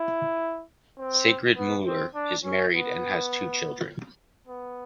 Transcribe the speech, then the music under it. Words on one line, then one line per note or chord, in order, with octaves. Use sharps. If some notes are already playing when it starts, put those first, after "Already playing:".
Sigrid Müller is married, and has two children.
Already playing: E4
C4
B3
C4
D4
C#4
B3
B3